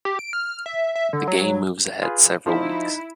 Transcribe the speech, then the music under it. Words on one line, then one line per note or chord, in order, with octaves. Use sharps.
The game moves ahead several weeks.
G4
D7
F6
E5
E5
D3
F#3
F4 G#4 B4
F3 D#4 E4